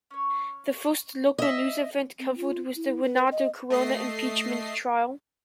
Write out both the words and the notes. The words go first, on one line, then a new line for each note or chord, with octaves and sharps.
The first local news event covered was the Renato Corona impeachment trial.
C#4 C#5
E4 D#5 E5
C4
F4
E4
B4
D#5
A3 D#5 C7